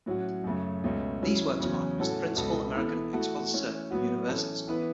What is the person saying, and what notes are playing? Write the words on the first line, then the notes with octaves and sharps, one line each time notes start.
These works mark him as the principal American expositor of Universalism.
A2 F#3 C#4 F#4
F#2 C#3 A3
C#2 B2 A3 C#4
C#3 F#3 C#4 E4
E2 C#3 F#3 C#4
A2 E3 C#4 F#4 A4
C#2 B2 B3 A4
E3 B3 E4 A4
E3 A3 F#4 A4
E3 A3 C#4
A2 F#3 B3 F#4
E3 C#4 A4
E3 B3 E4 B4